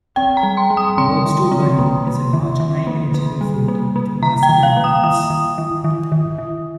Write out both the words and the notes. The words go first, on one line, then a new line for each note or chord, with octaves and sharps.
Warbstow Bury is a large Iron Age hillfort with massive ramparts.
C4 G5
A#5
G3
C6
G3
D#6
C4 C6
D#3
C4
A#3
A#3
D#3
D#3
A#3
A#3
G3
A#3
A#3
D#3 A#5
G5
D#3
F5
A#3
D#6
D#3 D#6
D#3
D#3
D#3
D#3
D#3